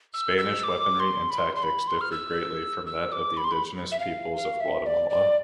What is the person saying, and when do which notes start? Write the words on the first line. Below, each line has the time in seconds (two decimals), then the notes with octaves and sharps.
Spanish weaponry and tactics differed greatly from that of the indigenous peoples of Guatemala.
0.14 E6
0.38 E6
0.64 D6
1.00 C6
1.30 B5
1.38 C6
1.55 C6
1.63 B5
1.87 C6
2.01 F6
2.12 E6
2.86 E6
3.12 D6
3.37 B5
3.44 C6
3.52 B5
3.92 E5
3.99 F5
4.36 F5
4.60 E5
4.86 D5
5.10 D5